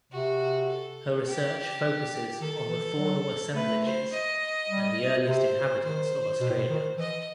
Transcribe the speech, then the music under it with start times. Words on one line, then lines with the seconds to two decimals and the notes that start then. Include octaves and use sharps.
Her research focusses on the faunal assemblages and the earliest inhabitants of Australia.
0.12 C3 F#4
0.69 A4
1.27 G4
2.41 D#3 A4
2.69 E3
2.98 F#3
3.55 A3 B4
3.84 C5
4.12 D#5
4.69 G3
5.27 C3 C5
5.84 D#3 C5
6.40 B2
6.49 A2
6.58 B2
6.69 D#3
6.97 E3 D#5